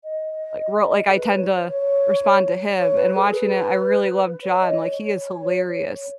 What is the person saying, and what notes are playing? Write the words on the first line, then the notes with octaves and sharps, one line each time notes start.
like, wrote like, I tend to respond to him and watching it, I really love John, like, he is hilarious.
D#5
G#4
B4
C#5
C#5
C#5
B4
G#4
B4
C#5
D#5
C#5
C#5